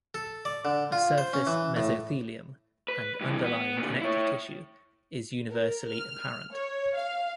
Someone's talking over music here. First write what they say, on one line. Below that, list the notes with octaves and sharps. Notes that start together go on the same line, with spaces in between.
A surface mesothelium and underlying connective tissue is universally apparent.
A4
D5
D3
F4
C5
C#4
E3
A2
B4
G2 E3
B3
A#2 D3
E4 C#5
A#4
F6
C#5
F5